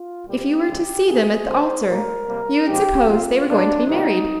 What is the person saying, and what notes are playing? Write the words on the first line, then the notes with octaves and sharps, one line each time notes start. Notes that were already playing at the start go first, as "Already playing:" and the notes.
If you were to see them at the altar, you would suppose they were going to be married.
Already playing: F4
A#2 G3 C4 G4
D3 F3 G#3
C3 D#3 A#3 G#4
D3 G#3 C4 C5
A#2 G3 A#3 A#4
C3 G3 A#3
A#2 F3 G#3 G4
C3 F3 C4 F4
A#2 G3 A#3 D4
C3 D#3 G3 A#3 D#4